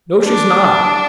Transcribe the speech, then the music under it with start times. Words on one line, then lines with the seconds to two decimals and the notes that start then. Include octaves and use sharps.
"No, she's not."
0.24 D4